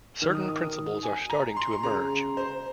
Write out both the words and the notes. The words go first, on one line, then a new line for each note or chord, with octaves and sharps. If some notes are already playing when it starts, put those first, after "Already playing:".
Certain principles are starting to emerge.
D#3 F6
D#6
D#6
D#6
G#5
A#5
C6
C6
C#3 A#5
C5